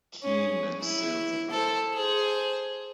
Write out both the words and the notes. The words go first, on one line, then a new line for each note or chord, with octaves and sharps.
"Keying" next sailed to Britain.
C#4 G#4
E4
A4 C5
G#4 C5